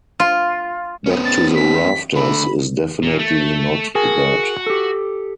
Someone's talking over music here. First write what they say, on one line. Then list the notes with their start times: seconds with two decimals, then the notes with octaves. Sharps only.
Back to the Rafters is definitely not that.
0.20 F4
1.06 B3 C#4
1.25 A6
1.55 B6
2.15 D3 A3 B5
3.02 A#2
3.19 A3
3.95 F#4 G#4 A#4 G#5
4.66 G4 A4